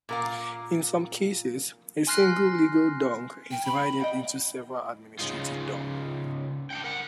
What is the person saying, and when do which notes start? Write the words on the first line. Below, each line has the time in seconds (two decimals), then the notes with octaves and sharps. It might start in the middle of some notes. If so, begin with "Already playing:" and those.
In some cases, a single legal "dong" is divided into several administrative "dong".
0.09 A#2 A#4 F5
2.07 G#5 C6 F6 F#6 A#6 C7
3.51 G5
3.65 B5
4.00 D#5 F5 G5
5.19 C#3 G#3 D#4 F4
6.70 D4 F#5 G5
6.84 A#4 F#5